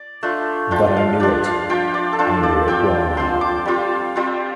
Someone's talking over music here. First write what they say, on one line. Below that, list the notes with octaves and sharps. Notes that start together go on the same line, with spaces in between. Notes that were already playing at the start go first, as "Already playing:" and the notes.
But I knew it, I knew it well now.
Already playing: D5
A3 D4 F4
F3 D4 F4 G5
F5
F3 D4 F4 D5
F5
F3 D4 F4 G5
D5
A4
F3 D4 F4 C5
D5
F3 C4 F4 G5
F3 C4 F4 C6
D6
G3 C4 F4
G3 C4 F4